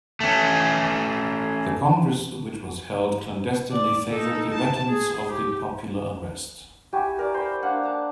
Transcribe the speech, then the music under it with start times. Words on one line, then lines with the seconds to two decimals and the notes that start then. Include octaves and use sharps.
The congress, which was held clandestinely, favored the retence of the popular unrest.
0.20 A3 C#4
3.70 D5
4.09 D#4 A4
4.54 A5
4.88 G#4
5.28 G4
6.93 E4 F#4 G4 G#5
7.19 A#4 D5
7.34 C5 B5
7.62 A#3 D4 F5 F#5
7.83 A5 A#5